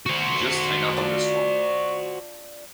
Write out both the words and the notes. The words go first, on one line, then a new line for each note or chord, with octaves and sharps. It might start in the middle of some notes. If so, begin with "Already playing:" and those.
Just hang up on this one.
F#4 C5
D4 F4 D5